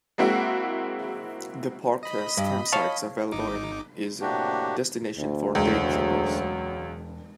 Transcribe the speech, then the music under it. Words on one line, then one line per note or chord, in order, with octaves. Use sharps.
The park has campsites available and is a destination for daytrippers.
G#3 A#3 C4 E4 F#4
D#5 B5
G2
C#5 F5 A5
G#1 D#4 D6
A2 C3 A#3 D4 F#4 G4
D2
E1 C#2 F#3